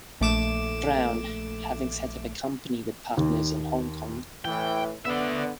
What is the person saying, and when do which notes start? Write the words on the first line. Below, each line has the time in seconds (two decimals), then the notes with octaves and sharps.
Brown, having set up a company with partners in Hong Kong.
0.20 A#1 A3 D6 E7
3.17 D#2
4.45 A2 E3 G5
5.05 D3 B3 D5 E5